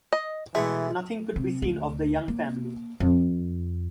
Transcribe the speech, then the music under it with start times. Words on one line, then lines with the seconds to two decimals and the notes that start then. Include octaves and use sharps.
Nothing could be seen of the young family.
0.13 D#5
0.55 B2 E3 G#3 A3
1.36 C3
1.62 D2
2.28 A#3
3.00 F2